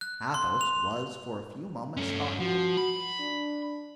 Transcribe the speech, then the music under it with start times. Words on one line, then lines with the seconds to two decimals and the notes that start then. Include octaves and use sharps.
Athos was for a few moments thoughtful.
0.01 F#6
0.34 C6
0.61 F7
1.97 G2 A3 C#4
2.40 F3 F#4
2.77 B5
3.20 D4